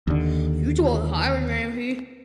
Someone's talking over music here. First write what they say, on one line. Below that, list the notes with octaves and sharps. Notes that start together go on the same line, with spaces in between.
You do all the hiring around here.
D#2 D3